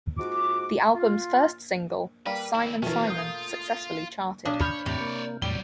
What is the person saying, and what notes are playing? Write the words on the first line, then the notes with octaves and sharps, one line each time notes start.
The album's first single, "Simon Simon", successfully charted.
G#2 F4 F#4 D6
F4
G3 A#3 B4
D#2 E4
B2 E3 A3 C#4 F4 A#4
F4 D#6 G6
B1 D4
C#5 B5 F6 G6
E2 A2 C3 G4 C#5 D5
A#3
E2 A2 F#3 G3 G4 G7